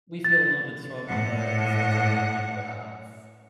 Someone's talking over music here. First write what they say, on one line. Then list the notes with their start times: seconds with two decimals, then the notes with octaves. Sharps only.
we feel a little bit strongly about in the sense of, like, people would have
0.25 A6
1.08 A2 F#5